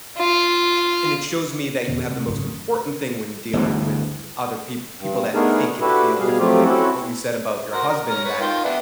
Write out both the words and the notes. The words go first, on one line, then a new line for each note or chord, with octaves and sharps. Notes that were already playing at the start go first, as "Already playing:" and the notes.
and it shows me that you have the most important thing when dealing with other peop people that think and feel differently. What you said about your husband that
F4
E2 B2 D3 C#4
C3
G#1 F#2 A2 C#3
G1 D2 E3
G2
A3 B3 D4 D#4 G#4 A#4
D4 E4 F#4 G4 A4 B4
B2 G3 G#4 F5
F3 F#3 A3 C4 F4 G4
C4 C#4 E4 F#4 A4
F#4 A#4 C5
A#4
C#4 A#5 F6
B4 C#5
D#3 F4 G5
B3 D4 E4